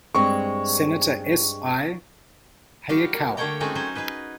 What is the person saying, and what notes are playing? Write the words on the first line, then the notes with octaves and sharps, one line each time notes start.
Senator S. I. Hayakawa.
G2 G#3 C4 C#6
G3 F#4 G4 F5
A#3
D3 A3 A#3 C#5 G5 A#5
G#3 A3 C4 C#4 D#4 F#4
F#3 C#4 C5 G#5
D#4 G#4 B4 D#5